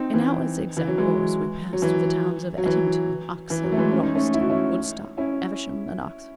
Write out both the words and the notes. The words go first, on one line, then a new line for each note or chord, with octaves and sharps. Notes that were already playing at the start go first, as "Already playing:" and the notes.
In our zigzag course we passed through the towns of Ettington, Oxhill, Wroxton, Woodstock, Eversham and Oxford.
Already playing: C4 D#4
E3
E3
F#3
E3 G#3
F#3
E3
F#3
E3
E3
F#3
A3
E3 G#3
C#4
D#4
A3 C#4
E4
F#4
C#4 E4
C#4 E4